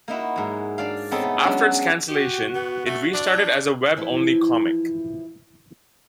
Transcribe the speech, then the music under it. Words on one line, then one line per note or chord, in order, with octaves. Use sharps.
After its cancellation it restarted as a web only comic.
A#3 D#4 E4 F#4
G#2 F#3
D4 D5 F5
B3 C4 D#4 G#4 A4 C#5
A3
F#3 G#3 C#4 D4
F#4 G4
B3
A3
D4
E3 F3 E4